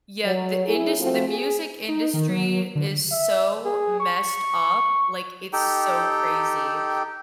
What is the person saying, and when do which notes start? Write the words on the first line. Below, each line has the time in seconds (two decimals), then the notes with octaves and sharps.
Yeah, the indus the music industry is so messed up, like, it's so crazy.
0.24 F#3
0.65 E4 G#4
1.00 F3 A3 C4 F4 F#4
1.29 G#4
1.88 D#4
2.14 D#3
2.29 F#3
2.75 D3
3.11 E5
3.65 G#4
4.00 C#6
5.53 D#4 G4 A4 G5